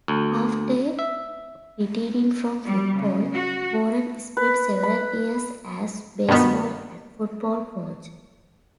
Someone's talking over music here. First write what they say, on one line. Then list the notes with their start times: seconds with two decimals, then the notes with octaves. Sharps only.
After retiring from football, Warren spent several years as baseball and football coach.
0.08 D2
0.99 E5
2.65 G3
2.98 C#3
3.34 F#4
4.37 B4
4.83 B5
6.28 G2 B2 D#3 B3